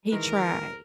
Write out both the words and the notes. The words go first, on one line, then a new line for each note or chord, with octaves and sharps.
He tried,
D#3 E3 G#3 A#4